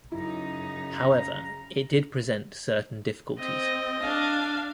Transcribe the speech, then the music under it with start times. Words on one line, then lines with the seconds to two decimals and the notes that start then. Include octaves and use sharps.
However it did present certain difficulties.
0.12 F#2 C#3 D#4 E4 A#5
3.39 C4 D#5
4.02 D4 F5